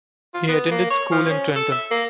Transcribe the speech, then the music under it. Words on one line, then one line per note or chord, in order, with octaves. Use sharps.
He attended school in Trenton.
F4
B3
A#3
C#5
F3
C#4
A4
E5
A#3